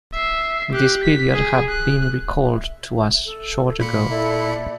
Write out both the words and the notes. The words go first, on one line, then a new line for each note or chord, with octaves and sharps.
This period have been recalled to us short ago.
E5 C7
G4 F#6
B6
G#4
F#6
E5
A4
A#2 B5 C#7
A#3 E4 A4 D5